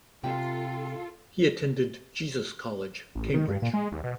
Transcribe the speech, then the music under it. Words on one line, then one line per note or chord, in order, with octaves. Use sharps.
He attended Jesus College, Cambridge.
C3 F4 A4 G5
A1
D#3
G2
A#2
G#3
D#2
B2